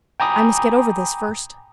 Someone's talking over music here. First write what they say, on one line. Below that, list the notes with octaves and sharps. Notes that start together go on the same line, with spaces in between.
I must get over this first.
G5 G#5 A#5 B5 D6 D#6